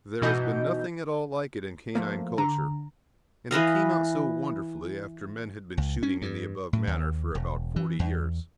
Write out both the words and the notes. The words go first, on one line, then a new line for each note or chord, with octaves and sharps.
There has been nothing at all like it in canine culture, and it came out so wonderfully after men had been shooting in the above manner for about forty years.
B2 E3 D#4 F#4 D#5 G6
F3 A3 A#3
D3 A#5
E3 B4 D#5 F5
C#2
C#4
G2
A2
D#2
E1
E3
E2